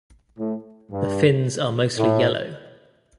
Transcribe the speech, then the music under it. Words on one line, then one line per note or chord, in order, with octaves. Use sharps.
The fins are mostly yellow.
A2
G2
A2